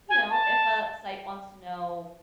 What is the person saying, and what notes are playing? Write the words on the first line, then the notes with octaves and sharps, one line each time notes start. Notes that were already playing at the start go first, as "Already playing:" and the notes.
you know, if a site wants to know,
G#5
A5